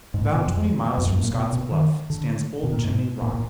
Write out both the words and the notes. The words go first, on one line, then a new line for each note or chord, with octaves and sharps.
About twenty miles from Scott's Bluff stands old Chimney Rock.
G#2
A#2
B2
F2
F2
F#2
A#2
B2
B2
D#3
D3
B2
A#2
G#2
A#2
A#2